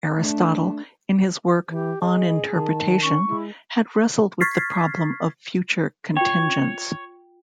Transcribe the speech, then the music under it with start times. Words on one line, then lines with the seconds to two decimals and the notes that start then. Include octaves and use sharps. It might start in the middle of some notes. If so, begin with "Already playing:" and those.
Aristotle, in his work "On Interpretation", had wrestled with the problem of future contingents.
0.16 A3 D4
1.69 E3 G4
2.01 G#4 D#5
2.53 D#3 A5
3.02 C#4 C#6
3.27 G#3 E4
4.41 C#6 F6 G#6 A6 B6 C7
6.17 F4 C#5 G5